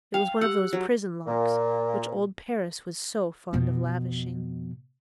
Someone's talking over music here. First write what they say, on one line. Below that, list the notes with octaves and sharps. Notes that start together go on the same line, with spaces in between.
It was one of those prison locks which old Paris was so fond of lavishing.
F5 G5
G4 F#5 E6
F#3
A#2
F2 B2